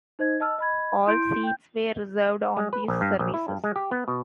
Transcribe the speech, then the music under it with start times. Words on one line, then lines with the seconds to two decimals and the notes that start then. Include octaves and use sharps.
All seats were reserved on these services.
0.19 D#4 C5 D#5 G#6
0.40 D#5 A5 E6 F6
0.59 D#5 B5 G#6
1.07 E4 C6 G6 D7
1.43 G5 G6
2.57 G#3
2.73 B4
2.88 A#1
3.01 G2
3.19 A#1
3.34 E4
3.48 G2
3.64 G#3
3.76 G4
3.91 B3
4.08 B2